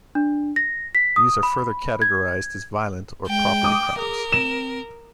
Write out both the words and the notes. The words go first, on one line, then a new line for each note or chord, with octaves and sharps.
These are further categorized as violent or property crimes.
D4
A#6
B6
D#6
B5
G#6
G#3 G5
D6 D#6
G#4 A#4
C4 E7